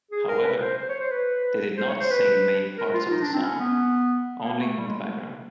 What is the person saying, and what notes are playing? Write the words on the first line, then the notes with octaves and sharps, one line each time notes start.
However, they did not sing main parts of the song, only in the background.
G#4
A#4
B4
C5
C5
C#5
C5
B4
C5
C#5
C5
B4
A#4
F4
D#4
D4
C4
C#4
B3
A#3
A3
G3
G#3
A3
A#3